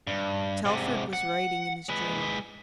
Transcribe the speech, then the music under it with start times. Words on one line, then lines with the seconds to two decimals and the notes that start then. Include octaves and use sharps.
Telford was writing in his journal.
0.07 G2
0.65 G#2 C3
1.13 F#5
1.89 G#3 B4